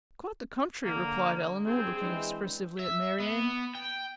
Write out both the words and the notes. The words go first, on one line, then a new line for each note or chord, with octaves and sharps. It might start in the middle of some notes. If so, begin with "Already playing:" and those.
"Quite the contrary," replied Elinor, looking expressively at Marianne.
D3 A#3
G2 C4 G#4
E3 G#3 D4
E5
B3
G5